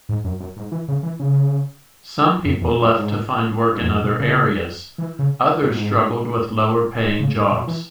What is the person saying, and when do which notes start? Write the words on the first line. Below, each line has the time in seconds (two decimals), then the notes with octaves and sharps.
Some people left to find work in other areas; others struggled with lower-paying jobs.
0.09 G#2
0.24 F#2
0.40 F#2
0.57 G#2
0.72 E3
0.88 C#3
1.03 E3
1.19 C#3
2.45 F#2
2.61 E2
2.77 F#2
2.93 G#2
3.72 G#2
3.80 E2
3.88 F#2
4.04 B2
4.20 C#3
4.98 E3
5.19 C#3
5.62 G#2
7.20 C#3
7.36 G#2
7.51 B2
7.67 E3